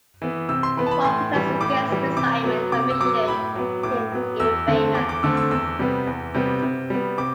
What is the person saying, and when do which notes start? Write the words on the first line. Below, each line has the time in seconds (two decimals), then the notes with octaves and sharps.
One protest against the Simon Commission became infamous.
0.22 E3 B3
0.49 C3 E6
0.63 C6
0.77 E3 B3 B5
0.87 A5
0.91 B5
1.05 A2 C6
1.33 E3 G3
1.61 A2 D6
1.89 E3 G3
2.17 C3 D6
2.44 F#3 B3
2.72 C3 D6
2.90 E6
3.00 F#3 B3 D6
3.28 A2 B5
3.55 F#3 B3
3.83 A2 D6
4.12 F#3 B3
4.40 E2 E6
4.68 D3 A3 C4
4.95 E2 D6
5.09 D6
5.23 D3 A3 C4 E6
5.37 E6
5.51 E2 E6
5.79 C3 G3 B3
6.07 E2
6.34 C3 G3 B3
6.62 C3
6.90 G3 B3
7.18 C3 D6